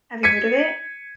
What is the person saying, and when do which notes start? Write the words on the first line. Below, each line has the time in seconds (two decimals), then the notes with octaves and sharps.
Have you heard of it?
0.23 G#6 B6 C#7 D#7